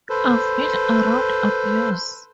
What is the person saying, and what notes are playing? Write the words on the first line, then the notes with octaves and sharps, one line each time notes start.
I've been around abuse.
A4 B4 C5